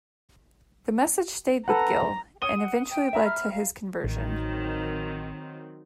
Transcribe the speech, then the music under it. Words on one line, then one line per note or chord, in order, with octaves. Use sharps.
The message stayed with Gill and eventually led to his conversion.
A4 B4 F#5 A#5
C#5 D#6 D#7 G7
F#5
G5
E5 A#5 B5
F6
F5
A1 D#3 F#3 C4